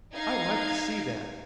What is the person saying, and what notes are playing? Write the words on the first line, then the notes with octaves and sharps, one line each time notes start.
I like to see that.
D#4 F5 G#6